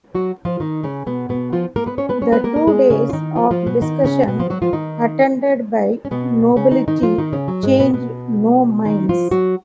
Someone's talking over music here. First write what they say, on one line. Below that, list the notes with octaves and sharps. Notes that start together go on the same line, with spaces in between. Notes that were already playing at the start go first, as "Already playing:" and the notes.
The two days of discussion, attended by nobility, changed no minds.
F#3 F#4
F3 F4
D#3 D#4
C#3 C#4
B2 B3
B2 B3
F3 F4
A#3 A#4
B3 B4
C#4 C#5
B3 B4
C#4 C#5
B3 B4
A#3 A#4
A#4
G#3 G#4
C#3 C#4
F4
D#3 D#4
F3 F4
F3 F4
B2 B3
D#3 D#4
C#3 C#4
B2 B3
F3 F4
F#3 F#4
F3 F4
D#3 D#4
C#4
B2 B3
C#3 C#4
D#3 D#4
D#3 D#4
F3 F4
D#3 D#4
C#3 C#4
F#3
G#2 G#3
B2 B3
B2 B3
D#3 D#4
F3 F4
F#3 F#4